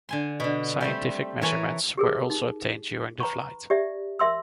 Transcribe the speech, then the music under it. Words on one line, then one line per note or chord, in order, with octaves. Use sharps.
Scientific measurements were also obtained during the flight.
D3 G#5 C6
B2 D3
G3 A3 C4
E3 A4 A#4 C#5 G#5 A#5
G4 G#4 A#4
D#4
B4 A#5 B5 C#6
G4 D5 E5
A#4 E5 C6 E6